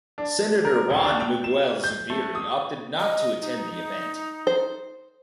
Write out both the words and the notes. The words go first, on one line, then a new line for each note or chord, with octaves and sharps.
Senator Juan Miguel Zubiri opted not to attend the event.
D4
A#4
D#1
D4
G5
E7
G6
A3
D#6
D#5
D#4
C5